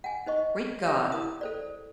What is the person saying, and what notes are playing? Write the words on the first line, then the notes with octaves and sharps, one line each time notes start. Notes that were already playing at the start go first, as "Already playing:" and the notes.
Great God!
F#5 G#5
D#4 C5 D#5 C#6
G4 C#5 E5
E4 A#4 D#6
A4 C5 D5